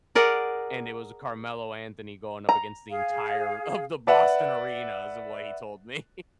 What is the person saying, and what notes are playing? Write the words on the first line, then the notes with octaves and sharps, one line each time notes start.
and it was Carmelo Anthony going up against the entire of the Boston Arena, is what he told me.
G#4 A#4 D5 F#5
A#5
G#4 F5
B4 D5 E5 F#5